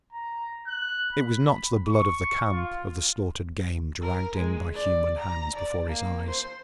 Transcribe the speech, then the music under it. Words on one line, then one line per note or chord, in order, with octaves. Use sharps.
It was not the blood of the camp, of the slaughtered game dragged in by human hands before his eyes.
A#5
F#6
B5
C#6
F4
A#4
G#3
D5
A#5
D5
A#3
C5